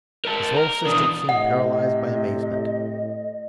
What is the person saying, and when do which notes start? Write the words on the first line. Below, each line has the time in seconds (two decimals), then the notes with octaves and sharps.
His whole system seemed paralyzed by amazement.
0.25 A#4 D#5 A5
0.57 A#4 A#5
0.86 B2 E3 D4 D#6
1.29 A2 C3 D#5 F#5